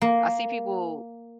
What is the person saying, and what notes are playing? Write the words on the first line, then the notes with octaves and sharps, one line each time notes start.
I see people
A#3